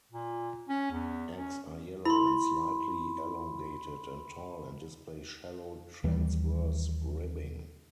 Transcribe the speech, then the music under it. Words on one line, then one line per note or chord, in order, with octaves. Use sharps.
Eggs are yellow and slightly elongated and tall and display shallow transverse ribbing.
A#2
C#4
E2
C#4
E4 B5 C6
D#2 E3 G3